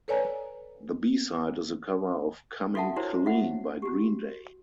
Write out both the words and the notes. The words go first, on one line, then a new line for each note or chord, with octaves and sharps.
The B-Side is a cover of "Coming Clean" by Green Day.
A4 B4 C#5 D5 G#5 A#5
F4 F#4 A4 E5 F#5 A5
D4 E4 F#4 A#4 C5 C#5
F4 E5 F#5
F#4 G4